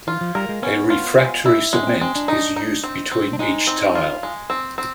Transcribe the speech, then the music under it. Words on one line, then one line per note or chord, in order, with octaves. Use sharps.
A refractory cement is used between each tile.
E3 F4
F3
G3 A#4
G#3
B3 C#4
F4
G#3
E4
G#3 B3
C#4
C4
G#3 C4
D4
D#4
D#4
C4
C4
D4
G#3 D#4
C4
F4
G#3
C4
C4